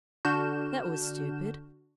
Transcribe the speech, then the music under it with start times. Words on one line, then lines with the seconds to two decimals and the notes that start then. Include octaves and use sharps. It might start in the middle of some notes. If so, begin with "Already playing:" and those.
'That was stupid.
0.25 D3 D4 F#4 F6 G6 E7